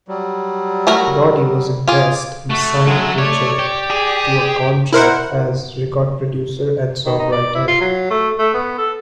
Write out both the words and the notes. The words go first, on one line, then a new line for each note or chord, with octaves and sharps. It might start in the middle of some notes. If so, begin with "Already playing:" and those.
Gordy was impressed, and signed Richards to a contract as record producer and songwriter.
F#3 G3
A3 F#4 A#4
F4 G#4 D6
A3 F#4
F#3 G#3
C#5 D5
G4
G#4
E4 A#4 C5 F#5
D#3
D#4
D5
E4
F4
F#3
A3
A3
B3
A4